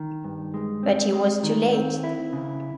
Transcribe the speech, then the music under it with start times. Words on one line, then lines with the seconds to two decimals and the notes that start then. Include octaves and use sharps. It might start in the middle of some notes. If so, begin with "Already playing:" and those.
But he was too late.
Already playing: D#3
0.24 G2
0.54 G#3
0.83 C4
1.13 G#3
1.43 D#3
1.73 C4
2.04 E4
2.33 C#3